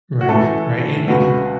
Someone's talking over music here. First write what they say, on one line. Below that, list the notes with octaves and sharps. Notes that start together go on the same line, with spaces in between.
Right, right, and and
F#4
A2 E3 A3 A4
C#2 B2 A3 F#4 B4